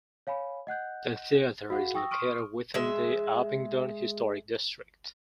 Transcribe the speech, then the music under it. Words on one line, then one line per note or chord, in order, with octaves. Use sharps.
The theatre is located within the Abingdon Historic District.
C#5 F5 G#5 B5
D#5 F#5 F#6 G6
F#4 G#4 F5 F#5
G5 C#6 D#6 E6 A#6
C6 C#6 D#6 F6 D7 D#7
G#3 E5